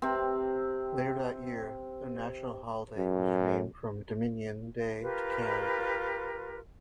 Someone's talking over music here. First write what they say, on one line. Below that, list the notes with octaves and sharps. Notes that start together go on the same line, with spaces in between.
Later that year, the national holiday was renamed from Dominion Day to Canada Day.
C3 C4
F#2
F4 G4 A#4 B4